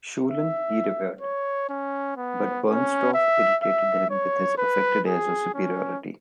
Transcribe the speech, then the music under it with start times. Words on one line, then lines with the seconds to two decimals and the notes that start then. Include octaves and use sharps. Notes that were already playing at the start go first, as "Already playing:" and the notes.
Schulin he revered, but Bernstorff irritated him with his affected airs of superiority.
0.24 E5
1.21 C#5
1.69 C#4
2.17 B3
2.66 C#4
3.14 E5
3.62 E5
4.10 C#5
4.58 B4
5.06 G#4
5.54 C#4